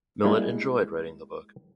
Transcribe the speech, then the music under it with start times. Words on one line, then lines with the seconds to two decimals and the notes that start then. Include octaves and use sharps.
Millet enjoyed writing the book.
0.24 G3 G#3 A#3 D4 E4